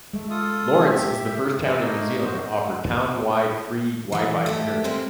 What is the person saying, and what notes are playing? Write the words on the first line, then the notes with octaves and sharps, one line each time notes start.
Lawrence is the first town in New Zealand to offer town-wide free WiFi internet.
G#3 A3
F4 A4 D#6
G4 E5
B4 G#5
A3 A#3 D#4
F#4 C5
E3 F#3
A3 G4
C3 G#3 A#3 C4